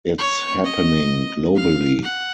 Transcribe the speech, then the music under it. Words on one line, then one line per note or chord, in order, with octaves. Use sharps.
It's happening globally.
C#5
D#5
F5
F#5